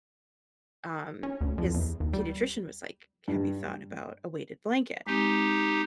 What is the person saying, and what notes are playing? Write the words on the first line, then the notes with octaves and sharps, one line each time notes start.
um, his pediatrician was like, "Have you thought about a weighted blanket?"
C#4
D2
F2
E2
D#2
G3
G2
G#3 C4 D#4 G4